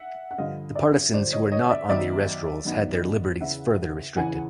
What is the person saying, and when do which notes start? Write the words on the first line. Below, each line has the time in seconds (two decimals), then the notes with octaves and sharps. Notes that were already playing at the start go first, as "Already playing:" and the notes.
The partisans who were not on the arrest rolls had their liberties further restricted.
Already playing: E5 F#5
0.31 F#5
0.38 G2 D3 F3 D#5 F5
0.76 D5 E5
1.13 G2 D3 F3 C5 D5
1.32 C#5 D#5
1.52 C#5 D#5
1.70 D5 E5
1.89 F#2 D#3 F#3 B3 D#4 D5 E5
2.65 F#2 D#3 F#3 B3 D#4
3.40 E2 C#3 E3 E5 F#5
4.16 E2 C#3 E3 F#5 G#5